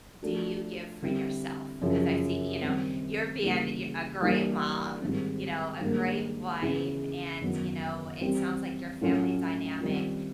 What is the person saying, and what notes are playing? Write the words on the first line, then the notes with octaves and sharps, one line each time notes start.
do you give for yourself? 'Cause I see you know, you're being yeah, a great mom, you know, a great wife, and, you know, it sounds like your family dynamic,
F3 A3 D4 F#4
D3 G3 C4 E4 G4
F#2 C#3 F3
D#3 G3 C4
E2 C#3 E3 G3 A#3
E3 G3 A#3 D4
G#2 D#3 G3 C4
G#2 D#3 G3 A#3 D4
E2 C#3 E3
F#2 D#3 F#3 B3
E3 G3 C4 E4 G4
A2 F#3 A3 C#4 F4
D#3 G3 C4 F4